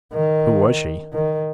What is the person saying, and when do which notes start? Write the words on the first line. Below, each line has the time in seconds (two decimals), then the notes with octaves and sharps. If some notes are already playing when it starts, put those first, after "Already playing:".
"Who was she?"
0.14 D#3
1.13 D#3